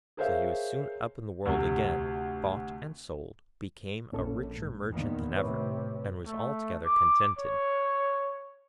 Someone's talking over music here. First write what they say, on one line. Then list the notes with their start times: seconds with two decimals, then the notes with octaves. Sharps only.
So he was soon up in the world again, bought and sold, became a richer merchant than ever, and was altogether contented.
0.17 G#4 A#4 C5 C#5 E5 F5
1.45 D2 C3
4.12 A#1 A#2 C#4 A4
4.55 G#2
4.89 E2 A#2 D#3 B3
5.37 A2 C3 B4 C#5
6.27 A3
6.86 D6
7.39 C#5